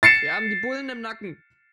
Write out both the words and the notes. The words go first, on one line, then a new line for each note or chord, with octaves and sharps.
Wir haben die Bullen im Nacken.
A6 C7 C#7 E7